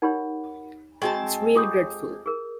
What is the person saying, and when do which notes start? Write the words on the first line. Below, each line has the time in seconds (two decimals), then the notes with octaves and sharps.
It's really dreadful!
0.02 D#4 G4 A#4 C#5 F#5 B5
1.02 G#3 C4 F#4 D#5 G5 A5 C#6
1.56 F4 G4 A4 D6 D#6 G6
2.26 G#4 A#4